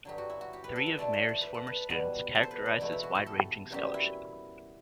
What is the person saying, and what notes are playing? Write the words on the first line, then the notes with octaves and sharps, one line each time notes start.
Three of Mair's former students characterize his wide-ranging scholarship.
G2 D3 F#3 G4
F#4
E4
F#4
G4
B4
A4
E5
D3 A3 D4 D5
C5
C5
B4
A4
B4
E2 B2 G3 B3
A4
C5
B4
D5
E2 B2 A3
E4
F#4
G4
A4
F#2 E3 G3 B3 G4
E4